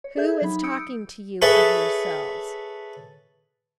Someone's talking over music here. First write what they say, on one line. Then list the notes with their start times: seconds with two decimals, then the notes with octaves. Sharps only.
Who is talking to you of yourselves?
0.04 C#5
0.17 G#4 A4 E5 G6 G#6
0.42 F#3 D#4 B5
0.63 D#6 E6 G6 C#7 D7
1.42 G#4 A4 B4 C#5 E5 A5